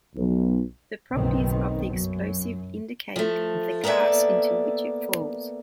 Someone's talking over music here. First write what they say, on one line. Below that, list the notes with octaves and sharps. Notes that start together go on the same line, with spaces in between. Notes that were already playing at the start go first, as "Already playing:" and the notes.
The properties of the explosive indicate the class into which it falls.
B1
F#1 B1 D#3 B3 C4
F#2 F#3
F3 A3
A#3 B3 A4 D5 E5